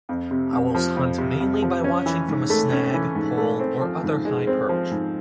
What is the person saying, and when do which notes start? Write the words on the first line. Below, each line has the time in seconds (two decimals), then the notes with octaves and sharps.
Owls hunt mainly by watching from a snag, pole or other high perch.
0.09 F2
0.31 C3
0.53 F2
0.75 F3
0.97 F2
1.18 C3
1.40 F2
1.62 F3
1.84 C#4
2.06 E3
2.28 G#2
2.50 A3
2.72 C#4
2.94 E3
3.15 G#2
3.37 A3
3.60 C4
3.81 F3
4.03 G#2
4.25 G#3
4.47 C4
4.69 F3
4.91 G#2